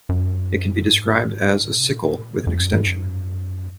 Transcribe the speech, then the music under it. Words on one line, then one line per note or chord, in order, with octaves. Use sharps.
It can be described as a sickle with an extension.
F#2
G#2
A#2
C3
A#2
F2
F#2
G#2
F#2